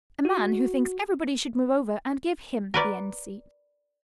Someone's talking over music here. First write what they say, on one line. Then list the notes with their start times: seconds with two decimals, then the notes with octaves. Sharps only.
A man who thinks everybody should move over and give him the end seat.
0.25 F#4
2.74 A#4 B4 D5